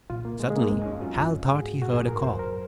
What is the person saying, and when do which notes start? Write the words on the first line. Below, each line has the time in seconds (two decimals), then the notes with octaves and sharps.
Suddenly Hal thought he heard a call!
0.10 A#2 F4
0.25 A#3
0.40 G#3
0.50 G#3
0.56 A#3
0.70 F#2 C4
0.81 G#2 C#4
0.91 F2
1.01 F#2 F4
1.16 F#2
1.31 G#2
1.52 G#4
1.62 F#4
1.82 F#4
1.93 A#2 G#4
2.03 A#2
2.08 A#4
2.13 G#2
2.24 F#2 C5
2.39 A#4